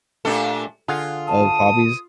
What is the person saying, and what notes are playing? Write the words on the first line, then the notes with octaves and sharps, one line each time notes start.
of hobbies.
A#2 A3 D4 G4 A4
D3 F4 G#4 F#5
A5 D#6